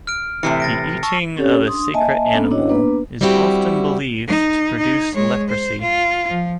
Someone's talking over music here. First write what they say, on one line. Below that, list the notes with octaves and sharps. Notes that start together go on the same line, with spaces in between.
The eating of a sacred animal is often believed to produce leprosy.
F6 D7
A2 C3 E3 C7 C#7
A6 A#6 D7
A5 C#6 E6
C4 C#4 G4 A4 C#5
D4 C6 D#6
A#3 D#5 E5 G#5 A5
A#3 B3 C#4 D4 A4
C#4 D4 E4 F#4 C#5 D#5
A#3 B3 D4 B4
G3 C4 E4 F#4 G4
D#4
D#4
G#3 C#5
C5
F4
F3